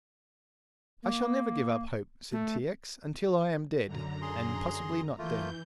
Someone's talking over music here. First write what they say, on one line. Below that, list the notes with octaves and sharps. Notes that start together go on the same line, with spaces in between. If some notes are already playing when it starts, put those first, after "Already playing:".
"I shall never give up hope," said T. X., "until I am dead, and possibly not then."
A#3
A3
F#2 D3 A#5
G#4 C6
E3 A3 A#3 F4 G6